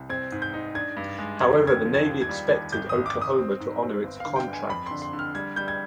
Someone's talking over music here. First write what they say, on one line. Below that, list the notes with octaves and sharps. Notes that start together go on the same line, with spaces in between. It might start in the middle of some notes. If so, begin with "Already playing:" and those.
However, the Navy expected Oklahoma to honor its contract.
Already playing: C2
C4 G#6
G#2
G6
D#4
D4 G#6
G2
G#3
F2 G#6
D3 G#6
F3
G#6
D#2
G#6
G3
D#2 G#6
G#1 G6
G#1 D#6
D6
G#1
D#6
C4
G#2
C4
G1
F5
D3
G5
G1
G#5
F2 B5
D3 C6
C6
D3
F6
G3 G#6
G3 G6
G#6